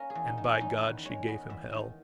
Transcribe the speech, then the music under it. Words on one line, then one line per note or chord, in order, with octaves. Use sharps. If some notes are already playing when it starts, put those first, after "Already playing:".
And, by God, she gave him hell.
Already playing: A#3 C#4 A#4
G#4
E2
D#4
D#3
C#4
E2 D#4
D#3 B4
G#3 C#5
B3 D#5
E2 E5
D#3